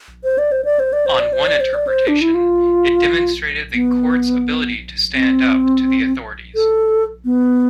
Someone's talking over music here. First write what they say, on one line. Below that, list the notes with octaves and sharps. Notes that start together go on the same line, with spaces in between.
On one interpretation, it demonstrated the courts' ability to stand up to the authorities.
C5
D5
C5
D5
C5
D5
C5
D5
C5
D5
C5
D5
C5
D4
E4
F4
B3
C4
A4
B3